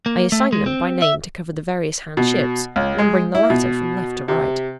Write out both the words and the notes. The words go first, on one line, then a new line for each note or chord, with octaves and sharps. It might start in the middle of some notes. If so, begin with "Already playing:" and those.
I assigned them by name to cover the various Han ships, numbering the latter from left to right.
A#3
A3
G#3
C4
E5
B2
C#2
G#3
E4
B2
C3